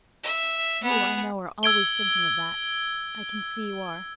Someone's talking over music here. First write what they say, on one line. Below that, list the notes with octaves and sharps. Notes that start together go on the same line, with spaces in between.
You, I know, are always thinking of that--I can see you are.
E5
B3 G#4
E6 G#6 D7 G7